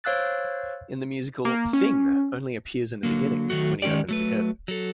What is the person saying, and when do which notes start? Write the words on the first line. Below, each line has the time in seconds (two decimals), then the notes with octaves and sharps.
In the musical, Thing only appears in the beginning, when he opens the curtain.
0.04 C5 C#5 F5 E6 F#6 A6
1.45 A#3
1.73 C#4
3.03 D3 F#3 A#3
3.50 D#3 F#3 A3 F#4
3.82 D#3 G#3 C#4 D#4 G4 D5
4.09 F#3 A3 B4
4.68 F#3 A4